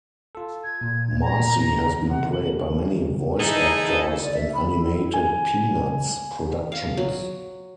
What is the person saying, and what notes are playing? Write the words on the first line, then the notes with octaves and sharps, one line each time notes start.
Marcie has been played by many voice actors in animated "Peanuts" productions.
F4 A4
G#6
A#2
A#5
C3 F#5
F#7
D#4 E4 G#4 A4
D5
E5
B5
E4
G#5
F5
F#3